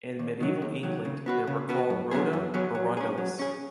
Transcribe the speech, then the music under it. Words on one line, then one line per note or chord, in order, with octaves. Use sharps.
In medieval England, they were called rota or rondellus.
D#2
D#3 F#3
D#2
D#3 F#3
C#3
B3 F#4 B4
C#3
B3 F#4 B4
F#2
F#3 B3 G#4
F#2
F#3 B3 G#4
F#3
C#4 G#4
F#3
C#4 G#4